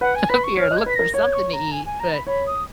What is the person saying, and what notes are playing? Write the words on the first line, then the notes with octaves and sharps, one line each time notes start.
up here and look for something to eat, but,
B4 F#5
G#5
B4 B5
C#6
C#5 F6
D#5 F#6
G#6
B4 B6
A#4 A#6
C#5 G#6
C#6
A#5
G#5
G#5
A#5
B5
C#5 B5
D#6